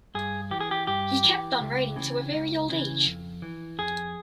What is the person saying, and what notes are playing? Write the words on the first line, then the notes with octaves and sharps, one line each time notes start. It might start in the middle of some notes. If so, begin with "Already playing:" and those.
He kept on writing to a very old age.
G2 G#4
E3 G4
G#4
G4
G2 G4
E3
C#2
C#3 E3
C#2
C#3 E3
F2
E3
F2 G#4